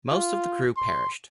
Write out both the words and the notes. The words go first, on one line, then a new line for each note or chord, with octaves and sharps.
Most of the crew perished.
F4
C6